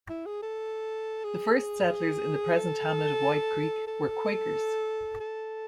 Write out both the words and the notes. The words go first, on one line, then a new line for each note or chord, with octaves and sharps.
The first settlers in the present hamlet of White Creek were Quakers.
E4
G#4
A4
G#4
A4
A4
A4